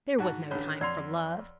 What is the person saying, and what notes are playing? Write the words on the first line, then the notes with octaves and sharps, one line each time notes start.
There was no time for love.
G#2 F#4 A5
A1 D3 C#5
F2 D5 F#5 C6